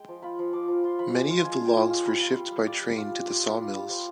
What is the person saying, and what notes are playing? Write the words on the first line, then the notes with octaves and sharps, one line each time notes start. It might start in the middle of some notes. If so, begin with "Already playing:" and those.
Many of the logs were shipped by train to the sawmills.
Already playing: G#3 G5
F3
F4 B5
F3
F3 D6
F3
F4 C6
F3 B5
G#3 G#5
F4 C6
F4 G#5
D4 G5
G#3
F4 G#5
G3 B5
F4
C6
G3
G3 B5
F4 D5
G3
F4
G3
F4
G3
F4
G3
G3 C5